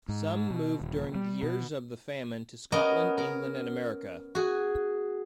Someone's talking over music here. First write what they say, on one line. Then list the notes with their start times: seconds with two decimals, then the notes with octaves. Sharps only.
Some moved during the years of the famine to Scotland, England and America.
0.09 G#2
0.50 B2
0.81 D#1
1.15 G3
1.43 B2
2.72 B3 C#4 A#4 D#5
3.18 A#4
4.35 F#4 G#4